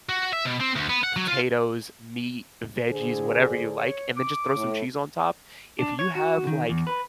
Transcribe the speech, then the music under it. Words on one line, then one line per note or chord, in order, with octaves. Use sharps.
potatoes, meat, veggies, whatever you like, and then just throw some cheese on top if you have, like
F#4
E5
B2
C4
D2
B3
F#5
F#3
F4
D3 G#4 C5
C#5
D6
A2
D4
C#5
F#4
D#3
E2
B4